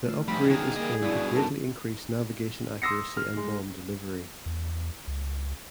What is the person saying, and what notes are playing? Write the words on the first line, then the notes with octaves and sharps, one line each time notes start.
The upgrade is claimed to greatly increase navigation accuracy and bomb delivery.
D3 A3 F4
G#2 F3 G3 A3 D#4 B5
B1 D3 D#3 D#4 G#4
G3 A#3 D#5
G2 B2 E4 D5
D#4 A4 A#4 A5
C6 D#6 E6 A#6 C7 C#7
F6
G#3
E2
C#2